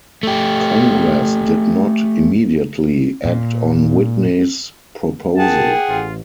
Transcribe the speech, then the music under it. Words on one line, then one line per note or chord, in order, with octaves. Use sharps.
Congress did not immediately act on Whitney's proposal.
A3 G4
A#2
D4 F4 G#4 A#4 F#5 G5 A5
A1 F4